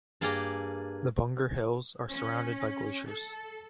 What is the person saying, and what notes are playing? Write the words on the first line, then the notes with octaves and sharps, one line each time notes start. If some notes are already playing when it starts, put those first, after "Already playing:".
The Bunger Hills are surrounded by glaciers.
G2 A#3 G#4 D5 G5 A#5
C#4
A4